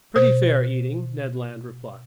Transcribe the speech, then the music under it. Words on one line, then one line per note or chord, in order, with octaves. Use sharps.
"Pretty fair eating," Ned Land replied.
B2 C5